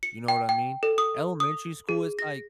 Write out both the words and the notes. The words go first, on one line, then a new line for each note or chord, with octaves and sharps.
you know what I mean? Elementary school is, like,
C#7
G5
G5
A4
D#6
D#6
G#4
A#6